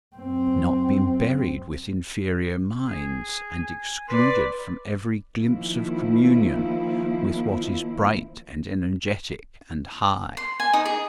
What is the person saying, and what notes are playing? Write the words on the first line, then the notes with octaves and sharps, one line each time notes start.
I have not been buried with inferior minds, and excluded from every glimpse of communion with what is bright and energetic and high.
F#2 C4
G#4
G#5
B4 D5 C6
D#3 F3 A#3 E4
C6
G#5
D#4 D#6
G#4